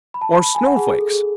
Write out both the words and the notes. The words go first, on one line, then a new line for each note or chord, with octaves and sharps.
Or snowflakes.
B5
A5
B5
B5
G#5
F#5
G#4
G#4
A4
G#4